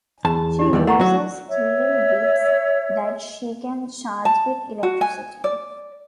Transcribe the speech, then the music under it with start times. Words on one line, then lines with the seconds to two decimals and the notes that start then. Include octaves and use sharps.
She uses steel whips that she can charge with electricity.
0.25 E2 A5
0.59 E4 G4
0.73 D#2 E3 G3
0.87 A3 F#5 A#5 C#6
1.00 F#3 F#4
1.48 C#5 E5 E6
4.25 A5
4.83 F#4
5.01 G#5
5.44 D5